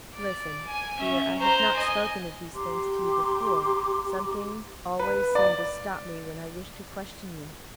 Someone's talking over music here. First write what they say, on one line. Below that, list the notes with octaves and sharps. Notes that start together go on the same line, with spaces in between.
Listen, dear, I have not spoken of these things to you before; something always seemed to stop me when I wished to question you.
D5
G#5
C#4 E5
C5 A#5
D#5 G#5
G4 A#5 C6 D6
B4
D5